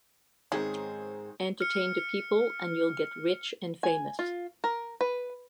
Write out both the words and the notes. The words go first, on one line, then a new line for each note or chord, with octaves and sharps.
Entertain the people and you'll get rich and famous.
G#2 D#3 G#3 C4 C#4 G#4 C5
F6 C#7
G#5
F4
A#4
B4